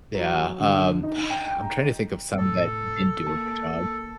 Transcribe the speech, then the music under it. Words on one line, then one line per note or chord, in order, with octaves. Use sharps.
Yeah, um Ah, I'm trying to think of some that didn't do a good job.
F#3
D3
D#4
G5
A#5
A2 C3 A4
A#3 A5